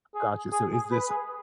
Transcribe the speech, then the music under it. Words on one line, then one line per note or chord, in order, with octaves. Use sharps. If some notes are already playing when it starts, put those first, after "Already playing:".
Gotcha. So is this
G#4
G#4
G#4
B4
G#4